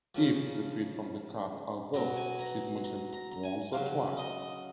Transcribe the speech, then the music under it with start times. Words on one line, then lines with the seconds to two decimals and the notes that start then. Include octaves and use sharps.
Eve disappeared from the cast although she is mentioned once or twice.
0.15 C#3 F3
1.94 B2 F#3 A#5
2.17 G#5
2.39 A#5
2.84 A#5
3.13 A#5
3.32 A#5
3.43 G#5
3.73 C#3 F#3 F5
4.17 D#5